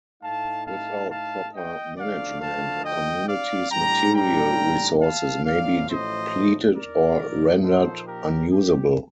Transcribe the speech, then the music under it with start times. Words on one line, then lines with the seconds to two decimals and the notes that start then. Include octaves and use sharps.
Without proper management, a community's material resources may be depleted or rendered unusable.
0.22 A2 A3 D#4 F5 A5
0.67 F5 A5
1.10 F5 A5
1.53 D#5 G5
1.97 D2 D3 F3 A3 D5 F5
2.41 F5 A5
2.84 D#5 G5
3.27 D5 F5
3.71 A2 G3 D4 G5 A#5
4.15 G5 A#5
5.02 F5 A5
5.45 A1 A2 F3 D5 F5
5.89 C5 D#5
6.76 A#4 D5
7.20 A#2 F3 A#3 D#4
7.63 A4 C5
8.06 G4 A#4
8.51 G4